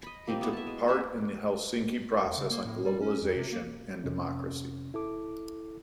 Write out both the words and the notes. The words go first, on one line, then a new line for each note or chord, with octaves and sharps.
He took part in the Helsinki Process on Globalisation and Democracy.
D#5 B5
A#3 C4 F4 G4
B3 E4 F#4 B4
E5 A5
G#3
F#4 G#4 E5
E2
C#3
A#3
A2
G3
C#4
F2
C3
A#3
F2 C3 C#4
E4 A4 D6